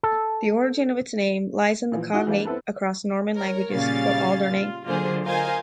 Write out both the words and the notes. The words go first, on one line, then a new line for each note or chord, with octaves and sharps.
The origin of its name lies in the cognate across Norman languages for Alderney.
A4
A#2 E3 F3
D#4 E4 F#4
E3 G3 A#3 D4
B3 C4 E4 A4 B4
A#4 C#5
A#2 C#3 G3 C#4 F5 A6
F4
D3 F#3 A#3 F4 G#4 C5
F4 A#4 C5 D#5 F5 G#5